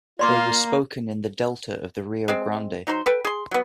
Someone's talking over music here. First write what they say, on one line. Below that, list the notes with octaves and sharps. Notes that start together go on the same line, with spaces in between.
They were spoken in the delta of the Rio Grande.
A#3 F4 D5 C6 D6
G#3 C4
F#3 D#4 C5 C6
A4 B4 G5
G#4 C6
F#3 B3